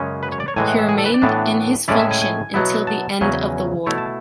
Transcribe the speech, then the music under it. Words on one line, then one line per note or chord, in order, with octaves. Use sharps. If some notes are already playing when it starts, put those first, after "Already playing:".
He remained in his function until the end of the war.
Already playing: F#2 C#3 G#3 C#4
B4
C#5
D5
C#5
A2 E3 G#3 G#5
F#5
E5
G#4
A4
B4
D5
A2 E3 B3 D4
A2 G#3 C#4 E4 D5
E5
G#5
G#5
B2 F#3 B3 E4
A5
E2 C#3 F#3 C#4 G#5
B2 A3 E4 C#5
A5